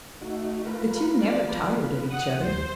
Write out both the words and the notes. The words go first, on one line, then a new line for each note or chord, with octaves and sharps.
The two never tired of each other.
A3 D#4 F#4
F4 A#4 B4
F3 D5
B3
F#5 D#6
D#2 G3 C5